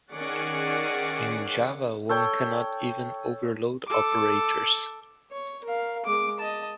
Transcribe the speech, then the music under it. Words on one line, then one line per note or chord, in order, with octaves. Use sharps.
In Java one cannot even overload operators.
D#3 C#4 G#4 D5 F#5
A4 C#5 G5
A4 D6
C#5
A#4 F5
G#3 D6
D#5 A5